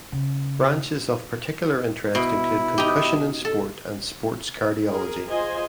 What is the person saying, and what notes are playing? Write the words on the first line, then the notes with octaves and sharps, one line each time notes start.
Branches of particular interest include concussion in sport and sports cardiology.
C#3
B2 E4
D#4 G4
A4
G#4 A#4
F4 G#4 C5 D#5 G#5